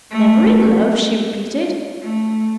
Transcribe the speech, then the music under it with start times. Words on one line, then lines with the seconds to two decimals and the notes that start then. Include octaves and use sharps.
"Never in love!" she repeated.
0.11 A3
2.03 A3